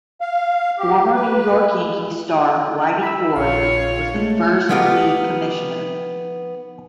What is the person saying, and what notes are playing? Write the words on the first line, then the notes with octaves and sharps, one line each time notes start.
Former New York Yankees star Whitey Ford was the first league commissioner.
F5
G4
B4
B5 E6
A#1 F4 C#5 F5
G#3 A3
F3 A3 B3 D#4 F4 G4